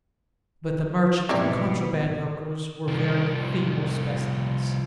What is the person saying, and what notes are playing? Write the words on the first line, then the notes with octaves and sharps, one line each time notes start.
But the merchant and contraband hookers were very feeble specimens.
G#2 B2 C4 E4 D5
C2 F3